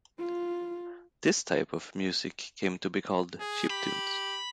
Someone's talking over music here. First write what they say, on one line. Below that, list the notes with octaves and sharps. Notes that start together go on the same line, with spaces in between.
This type of music came to be called "chiptunes".
F4
G#4
G4 B5